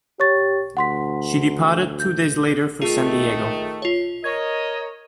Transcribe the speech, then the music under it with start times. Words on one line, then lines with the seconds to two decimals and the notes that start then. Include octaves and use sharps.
She departed two days later for San Diego.
0.20 G4 C#5 C#6 A6
0.77 D2 F#5 C6 B6
2.00 G6
2.82 D#3 A3 F4 G#4
3.82 F4 C#5
4.24 A#4 C#5 D#5 G#6